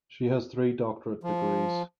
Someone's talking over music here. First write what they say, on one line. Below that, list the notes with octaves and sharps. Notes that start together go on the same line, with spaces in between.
She has three doctorate degrees.
F3